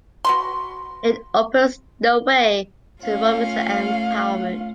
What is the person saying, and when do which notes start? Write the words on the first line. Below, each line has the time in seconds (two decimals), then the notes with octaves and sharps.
It opens the way to women's empowerment.
0.25 F#4 B4 C6
3.02 A3 C#4 F4 F5